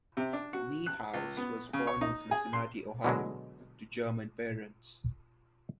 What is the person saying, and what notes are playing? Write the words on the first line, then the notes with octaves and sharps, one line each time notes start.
Niehaus was born in Cincinnati, Ohio to German parents.
C3
D4
F#4
F#6
C#2
B3
C#3
C#5
D#4
G#4
C6
B2 D3 F#3 G#3